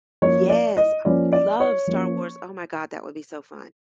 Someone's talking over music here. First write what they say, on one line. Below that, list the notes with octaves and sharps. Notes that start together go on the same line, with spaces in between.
Yes. I love Star Wars, oh my god, that would be so fun.
F3 A#3 C#4 C#5
D5
D#5
F3 A#3 C#4 D5
D5
C#5
F3 A#3 C#4